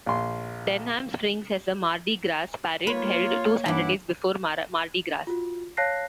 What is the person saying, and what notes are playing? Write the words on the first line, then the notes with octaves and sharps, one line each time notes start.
Denham Springs has a Mardi Gras Parade held two Saturdays before Mardi Gras.
A#1 C6
A#3 F4 B4 C#5
G2 E3 E4 F#5 D6
F4 F#4
C#5 F5 A5 F#6 A#6 C7